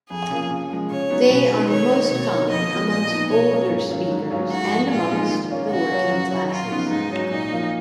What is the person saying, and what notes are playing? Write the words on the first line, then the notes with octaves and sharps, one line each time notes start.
They are most common amongst older speakers and amongst the working classes.
F2 G#4
C#3 F3 A#3 F4
C#3
F3 G#3
C#3 C#5
F#3 B3 D#4
B2 B4
G#3 D#4
D#3 C#5
A#3 D#4
B2 C#5
A#3 D#4
F2 D#5
F3 B3
A#2 D#5
F3 B3 D#4
B2 C#5
F#3 C#4 F4
G#2
D#3 F#3 C#4 F4
G#2
F#3 C#4 F4
G#2 F#4
F3 A#3
A#2 F4
F3 G#3 D#4
D#3
A#3 C#4 F4
C#3 F#4
F#3 C#4 F4
F#2
C#3 F#3
F#2 F4
C#3 F3 B3 D#4
G#2 D#4
F#3 C#4
A#2 D#4
F3 A#3 F4